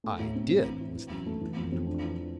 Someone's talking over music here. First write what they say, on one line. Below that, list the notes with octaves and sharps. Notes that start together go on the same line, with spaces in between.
"I did," was the angry retort.
A3
A2
C4
C4
E3
E4
E3
F#2
A3
E3
F2
F2
D4
E3
E3